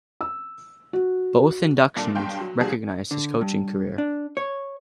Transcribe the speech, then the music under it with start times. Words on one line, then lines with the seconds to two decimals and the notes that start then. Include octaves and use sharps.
Both inductions recognized his coaching career.
0.21 E6
0.93 F#4
1.96 C2 A#2 A#3 D4 A4
2.15 B1 G2 F5 G5 C6
2.41 F#3
2.60 A#2 F3 G3 D4 F#4 G#4
3.11 D3
3.41 G2
3.98 D4
4.37 C#5